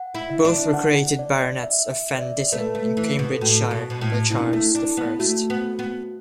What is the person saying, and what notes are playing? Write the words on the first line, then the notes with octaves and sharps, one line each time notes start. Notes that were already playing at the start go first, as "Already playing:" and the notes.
Both were created baronets of Fen Ditton in Cambridgeshire by Charles the First.
Already playing: F#5
E4
E5
D4
F#5
D5
E5
E5
D5
E5
A3 B4
A3
E3
B2
A4
A2 F#4
B2
B2
A2
B2 E4
D4
A3 E4
D4
B3
A3 F#4
B3
B3